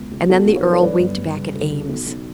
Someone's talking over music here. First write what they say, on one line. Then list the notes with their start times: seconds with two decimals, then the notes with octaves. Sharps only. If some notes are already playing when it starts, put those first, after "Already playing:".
And then the earl winked back at Eames.
Already playing: C#2 B2
0.12 C#2
0.29 B2 F#4 A4
0.46 B1
0.56 C#5
0.64 F#3 B4
0.72 A4 C#5
0.82 G2 B4 D5
1.00 G1
1.18 G2
1.35 C#3
1.53 D2
1.71 C#3
1.90 B1
2.07 B1